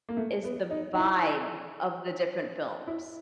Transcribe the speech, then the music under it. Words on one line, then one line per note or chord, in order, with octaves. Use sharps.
is the vibe of the different films.
A#3
A3
B3
D#4
D#4
E4
E4